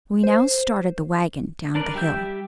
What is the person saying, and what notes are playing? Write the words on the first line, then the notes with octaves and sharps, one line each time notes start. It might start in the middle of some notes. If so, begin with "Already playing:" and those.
We now started the wagon down the hill.
C5
D4 A#4 B4 D5
G3 G4 E5 G6